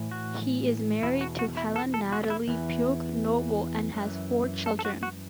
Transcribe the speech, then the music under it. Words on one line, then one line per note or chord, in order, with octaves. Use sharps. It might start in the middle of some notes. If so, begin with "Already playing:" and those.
He is married to Helen Natalie Pugh Noble and has four children.
Already playing: A2 E3
F#4
E2 B2 E4
F#4
F#4
E4
A4
A4
F#4
E4
E2 E3
F#2 E3
A4
A4
F#4
F#4